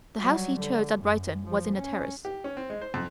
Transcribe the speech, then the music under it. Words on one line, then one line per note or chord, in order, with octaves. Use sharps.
The house he chose at Brighton was in a terrace.
F#3 G3
D3
F#2
F3
C#4
G4
C#4
C4
G#3
C5
F2